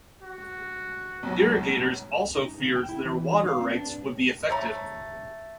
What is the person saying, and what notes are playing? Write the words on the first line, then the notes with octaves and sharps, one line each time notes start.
Irrigators also feared their water rights would be affected.
F#4
B1 F#3
D#4
C#3
G5
E4
E3
D#4
F5
C4
D4
A3 C#5 A#5